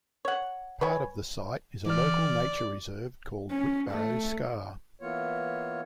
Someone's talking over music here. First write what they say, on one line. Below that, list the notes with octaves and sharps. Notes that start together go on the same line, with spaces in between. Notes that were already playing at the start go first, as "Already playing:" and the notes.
Part of the site is a local nature reserve called Whitbarrow Scar.
C#5 F#5
B4 C#5 G#5
E3 D5 F6
C#4
A3
E3 A#3 B3 F4 C#5